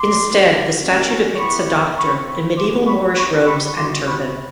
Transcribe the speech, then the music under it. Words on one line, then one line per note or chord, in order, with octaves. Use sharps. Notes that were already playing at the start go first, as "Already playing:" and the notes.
Instead, the statue depicts a doctor in medieval Moorish robes and turban.
Already playing: C6 D6
G3 A#3 D#4 G4
A#3 C#4 F#4
B3 E4 G4 B5 C#6
C4 F4 B5 C#6
G#3 B3 D#4 F#4 C6 D6
B5 C#6
C4 D#4 G4 B5 C#6
B5 C#6
G3 B3 D#4 F#4 C6 D6
B5 C#6